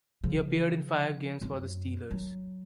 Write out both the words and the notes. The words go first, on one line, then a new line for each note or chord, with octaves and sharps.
He appeared in five games for the Steelers.
C#3 F3
F#2 C4
F#3